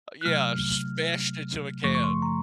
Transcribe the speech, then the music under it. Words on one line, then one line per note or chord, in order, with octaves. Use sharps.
yeah, smashed into a can.
F#6
C3 F#3 A3 F6
F#2 C#3 F3 A3 C#6
C#6
C6
A#5